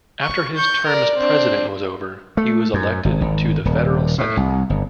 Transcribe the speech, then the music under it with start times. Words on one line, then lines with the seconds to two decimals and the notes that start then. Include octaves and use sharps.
After his term as President was over, he was elected to the federal senate.
0.22 C#6
0.56 C#6 G6
0.87 A#4 D5
1.16 C4 D4
2.37 A3
2.74 F#2
3.05 G#1
3.21 G#1
3.65 D#1
4.18 A2
4.37 C2
4.70 G1